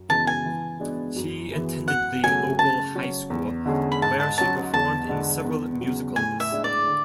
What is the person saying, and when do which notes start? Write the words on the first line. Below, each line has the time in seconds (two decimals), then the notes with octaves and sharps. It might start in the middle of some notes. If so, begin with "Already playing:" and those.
She attended the local high school, where she performed in several musicals.
Already playing: F#2
0.09 C#3 E3 G#3 B3 A5
0.27 G#5
0.45 E3
0.80 G#3 B3 D4 F#4
1.16 F#2
1.52 E3 B3 E4 G#4
1.87 F#2 F#5
2.24 C#3 F#3 A3 G#5
2.59 C#3 A5
2.95 F#3 C#4
3.30 E2
3.66 D3 G#3 C#4 G#4
3.92 B5
4.02 G#2 A5
4.20 A5
4.38 F#3 C#4 A5
4.73 E2 A5
5.09 D3 G#3 B3 D4
5.44 E2
5.81 C#3 F#3
6.16 A2 G#5
6.40 E5
6.52 G#3 D4
6.64 D5
6.87 D3